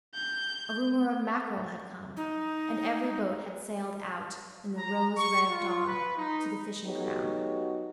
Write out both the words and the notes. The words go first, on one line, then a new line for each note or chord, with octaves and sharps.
A rumour of mackerel had come, and every boat had sailed out in the rose-red dawn to the fishing grounds.
G6
D#4
A#5
C#6
F4
B4
D#4
F#3 B3 D#4 F#4 G4 A4